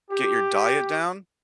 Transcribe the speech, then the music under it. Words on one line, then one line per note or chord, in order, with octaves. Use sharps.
get your diet down
G4